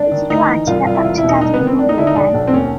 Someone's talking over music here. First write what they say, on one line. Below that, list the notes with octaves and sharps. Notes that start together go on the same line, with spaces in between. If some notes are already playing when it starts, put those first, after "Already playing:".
Is he glad to get back to Daddy and Mummy again?
Already playing: G#1 D4
D#3
D2 D#4
E3
C2 F4
C2 F4
E4
E1 F4
E4
B2
D#4
C2 D#4
B3
D#3
C4
G#1 D4
D#4
D3 E4
D#4
B1 D4
B1
C4
D#2 C#4